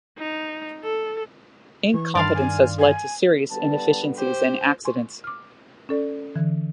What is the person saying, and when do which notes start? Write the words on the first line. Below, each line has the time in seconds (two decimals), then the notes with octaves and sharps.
Incompetence has led to serious inefficiencies and accidents.
0.18 D#4
0.83 A4
1.94 E3 C#6
2.15 G2 D#3 D5 F5 A5 C6
2.34 G#5
2.79 G#5
3.51 D3 G3 B3 A5
4.18 G4 C5
4.85 G#5 C6 C#6
5.24 D6 F6
5.89 C#4 A4 D5
6.36 D3 E3